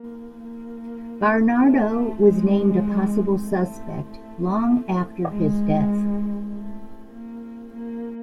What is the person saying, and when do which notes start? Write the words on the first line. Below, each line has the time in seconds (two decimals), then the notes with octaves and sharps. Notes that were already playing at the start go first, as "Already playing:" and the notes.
Barnardo was named a possible suspect long after his death.
Already playing: A#3
0.38 A#3
1.60 A3
2.21 G#3
3.44 A3
4.05 A3
5.28 G#3
6.49 A3
7.12 A#3
7.73 A#3